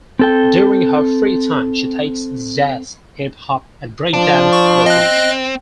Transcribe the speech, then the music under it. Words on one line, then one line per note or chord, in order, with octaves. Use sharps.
During her free time she takes jazz, hip hop, and break dance lessons.
C4 A4 G5
F3 D4
C#6
C4 D#5 F#6